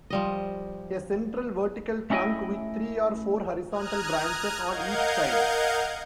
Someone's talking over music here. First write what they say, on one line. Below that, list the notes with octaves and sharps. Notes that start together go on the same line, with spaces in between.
A central vertical trunk with three or four horizontal branches on each side.
F3 G3 D#5
A3 C#4 E4 D#5 G5 G#5
A#5 D#6 F6 F#6 G#6
A#4 D#5 F5 F#5 G6 G#6